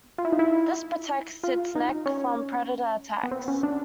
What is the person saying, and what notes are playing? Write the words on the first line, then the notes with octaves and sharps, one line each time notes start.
This protects its neck from predator attacks.
F4
E4
D#4
E4
F4
D#4
C#4
B3
C4
C#4
D4